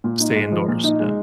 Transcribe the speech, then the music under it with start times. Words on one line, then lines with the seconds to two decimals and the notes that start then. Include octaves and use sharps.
Stay indoors, yeah,
0.04 A#2
0.20 D#4
0.36 G#3
0.52 F3
0.68 A#2
0.84 D#4
1.00 G#3